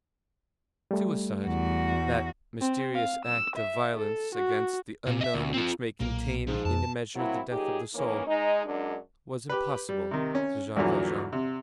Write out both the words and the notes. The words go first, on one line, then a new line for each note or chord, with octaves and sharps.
Suicide, that mysterious act of violence against the unknown which may contain, in a measure, the death of the soul, was impossible to Jean Valjean.
G3 A3
E2 F#4
C4
F5
E6
E5
A4
F#4
A#2
D#5 E5
D2
C4 F4
B1 A#2 A#3
G#2 F3
F2 A5
F#3 A#3 C4 E4
A#2 F#3 D#4 G4 G#4
D#3 E3 A#3 C#4
G#3 D#4
F#2 G#3 D4
G4 B4
G3
C3 D#3
C#4
E2 G2 A#2 D3 E3 F#3
C3